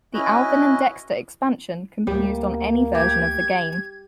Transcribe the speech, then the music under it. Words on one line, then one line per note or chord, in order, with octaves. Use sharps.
The Alvin and Dexter Expansion can be used on any version of the game.
C#4 E4 F#4 B4 D#5
D2 G3 A#3
G4 G#6